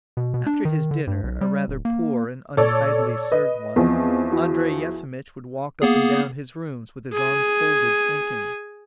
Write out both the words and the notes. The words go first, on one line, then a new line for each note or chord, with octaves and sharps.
After his dinner--a rather poor and untidily served one--Andrey Yefimitch would walk up and down his rooms with his arms folded, thinking.
B2
B2
D4
D#3
D3
G2
B1
G3
D1
A#3
A#2 A4 C#5 D5
B4 D#5
E2 F3 B3 C4 D#5
E4 F#4
A#3 B3 G#4
G#4 G#5